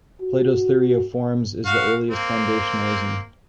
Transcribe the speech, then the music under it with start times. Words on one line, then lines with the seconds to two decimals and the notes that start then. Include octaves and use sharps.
Plato's theory of Forms is the earliest foundationalism.
0.22 F#4
1.66 F#4 F5
2.10 A#3 C4